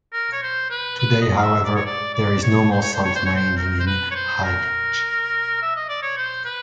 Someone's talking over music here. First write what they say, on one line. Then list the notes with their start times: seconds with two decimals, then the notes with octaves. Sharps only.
Today, however, there is no more salt mining in Halych.
0.13 A#4
0.32 C#5
0.42 C5
0.70 B4
0.99 B4
1.21 D#5
1.37 F5
1.43 E5
1.65 D5
1.76 C#5
1.86 D5
2.14 D5
2.43 C#5
2.72 C5
2.83 C#5
2.94 C5
3.04 C#5
3.15 C5
3.25 C#5
3.36 C5
3.58 A#4
3.80 C5
3.87 B4
4.11 C#5
4.15 C5
4.44 A#4
5.62 E5
5.76 D#5
5.89 D5
6.03 C#5
6.17 C5
6.45 B4